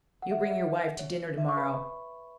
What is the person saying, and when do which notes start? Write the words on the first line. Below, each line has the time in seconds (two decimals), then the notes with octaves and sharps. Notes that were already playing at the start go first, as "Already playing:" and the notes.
You bring your wife to dinner to-morrow.
0.22 F#5
0.31 E5
0.41 C#5
0.51 E5
0.99 C#5
1.38 E5
1.49 C#6
1.57 B4 B5